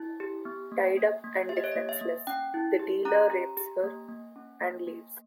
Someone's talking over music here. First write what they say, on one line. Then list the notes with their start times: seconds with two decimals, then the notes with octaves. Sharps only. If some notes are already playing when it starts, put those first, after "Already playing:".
Tied up and defenseless, the dealer rapes her and leaves.
Already playing: E4
0.20 G4
0.45 B3
0.72 A#3
0.97 A#3
1.24 A#3
1.49 G4 E5
1.57 D#5
1.64 C#5
1.72 D#5
1.75 A#3
1.89 E5
2.01 A#3
2.27 C#4 G5
2.54 E4
2.79 G4
3.05 C#4 A#5
3.31 G4
3.57 G4
3.84 A#3
4.09 A#3
4.36 C#4
4.61 A#3
4.87 A#3